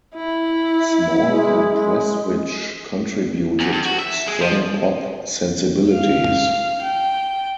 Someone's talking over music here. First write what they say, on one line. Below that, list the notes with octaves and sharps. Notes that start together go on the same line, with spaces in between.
Small and Prestwich contributed strong pop sensibilities.
E4
G#3
E2
G2
F#4
E5
G#3
F3
F5
G5